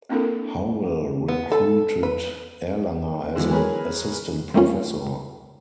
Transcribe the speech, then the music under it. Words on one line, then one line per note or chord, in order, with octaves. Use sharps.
Howell recruited Erlanger as an Assistant Professor.
A#3 C4 D4 E4 A4 A#4
B3
A4
B4
D3 E3 F#3 G#3 B3
G#4 A#4 B4 C#5 G#5
G3 A3 A#3 C4 C#4 F4